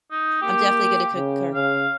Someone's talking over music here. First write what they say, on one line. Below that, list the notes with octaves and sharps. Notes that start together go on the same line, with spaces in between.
I'm definitely gonna concur
D#4
A#3 G4
C#3
C#3 F5